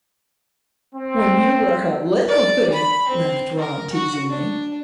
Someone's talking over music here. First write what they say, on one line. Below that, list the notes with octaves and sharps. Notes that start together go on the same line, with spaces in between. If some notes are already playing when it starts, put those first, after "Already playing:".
"When you were a little thing!" laughed Rob, teasingly.
C4
D5
B5
C4
A#4
F#4
D4